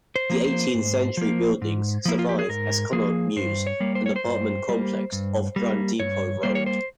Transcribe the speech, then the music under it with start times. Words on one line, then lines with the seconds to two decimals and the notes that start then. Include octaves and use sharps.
The eighteenth-century buildings survive as Connaught Mews, an apartment complex off Grand Depot Road.
0.16 C5
0.30 F3 A#3
0.44 C5
0.74 G#2
1.17 F3 A#3
1.62 G#2
2.05 F3 A#3 E4
2.19 F4
2.29 G4
2.39 G#4
2.49 G#2 A#4
2.92 F3 A#3 G#4
3.36 G2 C5
3.67 C#5
3.80 G3 A#3
3.95 C5
4.06 C#5
4.16 C5
4.24 G2
4.69 G3 A#3
5.12 G2
5.56 G3 A#3
6.00 G2 C#5
6.43 G3 A#3 C5
6.55 C#5
6.66 C5